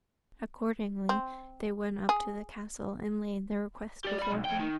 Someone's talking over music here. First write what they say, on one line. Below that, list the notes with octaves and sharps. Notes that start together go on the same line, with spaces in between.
Accordingly they went up to the castle and laid their request before him.
C4
G#4
G4 D5
D5 B5
B1
F2 G5
D#3